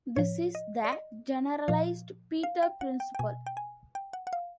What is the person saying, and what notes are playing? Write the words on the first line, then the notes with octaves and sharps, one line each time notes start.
This is the "generalized Peter Principle".
A2 F3 C#5
D#5
D5
D#5
A#2 F3 F5
F5
G5
F#5
G5
G5
B2 G#5
G5
G#5
G5
F#5
F#5
F5